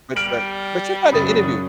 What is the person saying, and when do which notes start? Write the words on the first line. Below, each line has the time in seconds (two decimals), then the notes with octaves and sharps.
But but but check out the interview.
0.16 G3 F6 D7 F#7
1.12 F#2 C#3 F#3 B5 D#6 A6